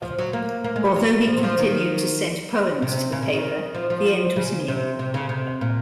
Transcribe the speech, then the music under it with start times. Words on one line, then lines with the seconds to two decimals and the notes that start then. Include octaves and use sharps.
Although he continued to send poems to the paper, the end was near.
0.02 F3
0.18 F#3
0.33 A#3
0.64 A#3
0.76 G#3
0.85 F#3
0.96 F#3
1.27 F3
1.37 F#3
1.43 F3
1.58 D#3
2.82 C3
3.12 C#3
3.23 C#3
3.33 D#3
3.75 F3
3.90 F3
4.36 C#3
4.68 C3
4.99 C3
5.14 C#3
5.29 C3
5.61 A#2